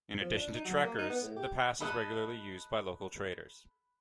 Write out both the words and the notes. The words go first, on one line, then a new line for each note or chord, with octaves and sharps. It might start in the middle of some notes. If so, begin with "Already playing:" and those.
In addition to trekkers, the pass is regularly used by local traders.
F3
D4
D#4
F#3
A#3
D#4
B3
A2
G4
A4 D#5 B5 F#6